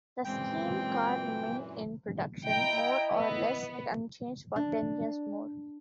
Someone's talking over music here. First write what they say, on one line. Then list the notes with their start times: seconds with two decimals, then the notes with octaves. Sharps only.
The steam car remained in production more or less unchanged for ten years more.
0.25 F#2 A#2 E3 G#3 C4 G5
2.45 E4 D#5 G5 A#5
3.14 B3
4.56 D4